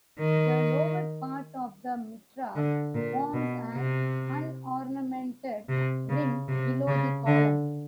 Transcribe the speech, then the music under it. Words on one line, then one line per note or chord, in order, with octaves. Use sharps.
The lower part of the mitra forms an unornamented rim below the column.
D#3
D3
A#2
B2
C3
C3
C#3
C3
C#3
D3